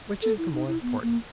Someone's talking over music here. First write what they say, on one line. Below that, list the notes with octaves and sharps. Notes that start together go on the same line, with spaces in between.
Which is the more important?
A4
E4
D#4
E4
B3
A#3